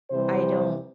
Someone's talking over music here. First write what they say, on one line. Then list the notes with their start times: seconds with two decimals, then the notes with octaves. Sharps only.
I don't
0.11 C3 E3 G3 C5